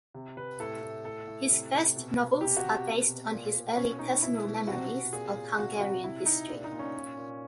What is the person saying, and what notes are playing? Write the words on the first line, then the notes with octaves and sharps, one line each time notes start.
His first novels are based on his early personal memories of Hungarian history.
C3
C3 B4
A2 A4
A2
A2 A4
A2
C3
C3
B2
B2
C3 G4
F#4
C3
B2
B2
A#2
A#2
B2 C#4
B2 D#4
B2 E4
B2
C3 F#4
C3
A#2 G#4
A#2
C3 F#4
C3 F#4
C3 E4
C3 D#4
A#2 D4
D#4
A#2
C#4
A#2
A#2